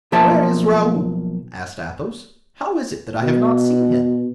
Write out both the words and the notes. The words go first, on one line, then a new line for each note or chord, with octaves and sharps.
"Where is Raoul?" asked Athos; "how is it that I have not seen him?"
B1 F3 A#3 E5 A5
B2